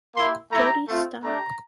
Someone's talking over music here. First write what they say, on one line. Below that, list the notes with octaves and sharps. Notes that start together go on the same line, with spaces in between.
Jodi Sta.
A#3 E4 G4 C6
A3 E4 G4 A#5
A3 C4 F4
A3 D4 G4 A#5